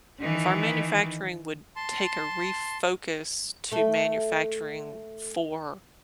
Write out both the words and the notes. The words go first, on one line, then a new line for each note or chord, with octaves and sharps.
if our manufacturing would take a re-focus to manufacturing for
D#3 E3
A5 C6
A3 A4